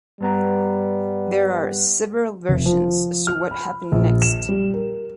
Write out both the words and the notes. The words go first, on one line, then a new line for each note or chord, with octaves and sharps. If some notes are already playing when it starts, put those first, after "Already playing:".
There are several versions as to what happened next.
G2 G3 B3 A#5
F1
F3
F6
B5
A#1
E7
G3
A#4